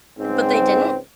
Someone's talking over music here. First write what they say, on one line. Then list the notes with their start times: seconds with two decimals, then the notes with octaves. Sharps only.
But they didn't?
0.18 C#2 G#2 C4